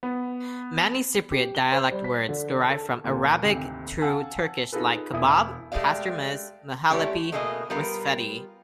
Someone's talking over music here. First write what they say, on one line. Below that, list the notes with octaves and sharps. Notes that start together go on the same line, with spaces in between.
Many Cypriot dialect words derive from Arabic through Turkish like: "kebab, pastourmas, mahalepi, rusfeti".
B3
G4
G7
C5
G3
B6
D3
A4
D2 A#2
G#1 D2 C3
F5 F#5 G#5 A5 E6
D#4 F4 G#4 A4 B4
E1 E4 D#6
G#3 A3 D#4 G4 D5 F5
G#3 A3 E4 G4 C#5 D5
B2 A3 A#3 G#4 A#4 D#5
G3 B3 F4 A#4